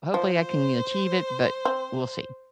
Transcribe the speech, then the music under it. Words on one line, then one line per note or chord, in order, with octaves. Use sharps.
hopefully I can achieve it, but we'll see.
F3 C5
C4